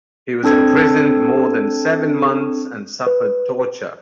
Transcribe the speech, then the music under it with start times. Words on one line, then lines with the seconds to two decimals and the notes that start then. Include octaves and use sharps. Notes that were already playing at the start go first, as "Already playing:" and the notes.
He was imprisoned more than seven months, and suffered torture.
0.43 C4 D4 A4 G#6
3.07 B4